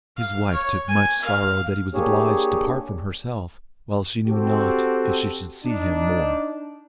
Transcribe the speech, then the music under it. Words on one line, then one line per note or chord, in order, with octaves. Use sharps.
His wife took much sorrow that he was obliged to part from herself, while she knew not if she should see him more.
F5
C#5
G#5
F5
A#3 D4 G4 G#4 C#5
C4 F#4 G4 A4
D4 D#4